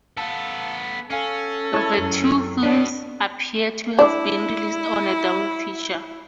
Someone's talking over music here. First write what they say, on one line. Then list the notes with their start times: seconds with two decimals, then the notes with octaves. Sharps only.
The two films appear to have been released on a double feature.
0.17 B3 A4 F5 A5
1.10 C#4 A4 F5 G#5
1.74 E4 C#5 A5
1.97 F#2
2.63 B2 D4 C#5 B6
3.99 D4 E4